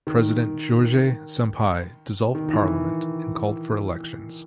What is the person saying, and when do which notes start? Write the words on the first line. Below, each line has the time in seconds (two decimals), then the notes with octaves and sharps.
President Jorge Sampaio dissolved Parliament and called for elections.
0.07 D#3
2.35 D#3
2.53 E3